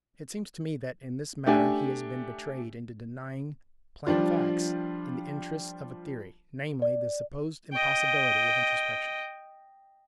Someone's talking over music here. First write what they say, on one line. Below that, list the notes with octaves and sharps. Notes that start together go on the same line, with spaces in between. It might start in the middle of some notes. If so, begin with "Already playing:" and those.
It seems to me that in this matter he has been betrayed into denying plain facts in the interests of a theory, namely, the supposed impossibility of introspection.
A3 D4 G4 G#5
F3 G3 D4 F4
D5
D#5 G5